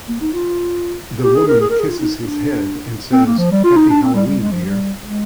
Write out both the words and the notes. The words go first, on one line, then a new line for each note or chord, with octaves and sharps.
The woman kisses his head and says, Happy Halloween dear.
A#3
D#4
F4
G4
G#4
A#4
G#4
A#4
G#4
F4
D#4
D4
C4
A#3
F3
G3
F4
D#4
D4
C4
G3
G3
G#3
F3
G3
G#3